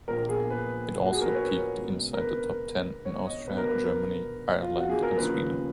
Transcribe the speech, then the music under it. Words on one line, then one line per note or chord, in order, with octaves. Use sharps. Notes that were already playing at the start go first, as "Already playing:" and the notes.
It also peaked inside the top ten in Austria, Germany, Ireland, and Sweden.
A#1 A#2 F3 A#4
G#4
B4
F#4
G#4
A#4
B4
C#5
C#2 B2
A#4
B4
C#5
D#5
B1 B2 B4
A#4
B4
F4
F#4
G#4
A#4
D#2 C#3 F3 B4